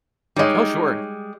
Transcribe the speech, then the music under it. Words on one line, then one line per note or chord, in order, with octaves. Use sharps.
Oh, sure.
G3 G#3 D#4 C#5 D#5